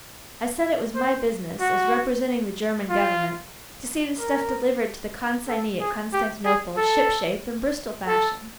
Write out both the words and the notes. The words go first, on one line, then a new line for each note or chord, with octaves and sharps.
I said it was my business, as representing the German Government, to see the stuff delivered to the consignee at Constantinople ship-shape and Bristol-fashion.
C5
F#4
F4
A#4
A4
G#4
G4
G#4
A4
A4